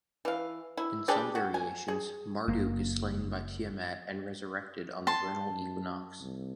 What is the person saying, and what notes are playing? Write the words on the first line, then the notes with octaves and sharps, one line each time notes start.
In some variations, Marduk is slain by Tiamat and resurrected on the vernal equinox.
E3 F5
E4
G3 D4 G4 G#4
F#4
G#5
G#4
F#1 A#3
A5 C6
F#2
C2